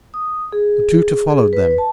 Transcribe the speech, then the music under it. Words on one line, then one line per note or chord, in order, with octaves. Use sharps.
The tutor followed them.
D#6
G#4
G#4
B4
A5